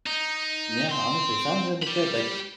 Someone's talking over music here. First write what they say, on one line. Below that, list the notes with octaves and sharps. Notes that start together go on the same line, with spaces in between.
Yeah, honestly, sounds really good, like,
D#4
C4 C6
G4 B5